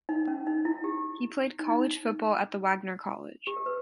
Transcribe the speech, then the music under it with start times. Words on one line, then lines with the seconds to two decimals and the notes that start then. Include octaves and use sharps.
He played college football at the Wagner College.
0.09 D#4
0.28 C#4
0.47 D#4
0.65 E4
0.84 G4
1.59 D#4
1.71 D#4
3.47 G4
3.56 A#4
3.66 B4